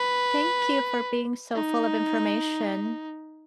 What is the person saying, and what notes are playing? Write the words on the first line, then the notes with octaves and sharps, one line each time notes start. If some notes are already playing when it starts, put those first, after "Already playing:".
Thank you for being so full of information.
Already playing: B4
D#4